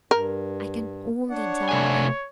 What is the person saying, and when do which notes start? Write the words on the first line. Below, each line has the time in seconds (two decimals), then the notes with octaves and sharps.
"I can only die."
0.11 G2 A#4
1.30 D4 C#5 F#5
1.69 C3 A3 G#5